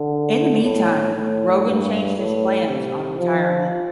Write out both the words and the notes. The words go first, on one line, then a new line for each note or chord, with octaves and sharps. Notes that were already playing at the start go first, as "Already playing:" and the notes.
In the meantime Rogan changed his plans on retirement.
Already playing: D3
A2
A2
G2
A2
C3
F3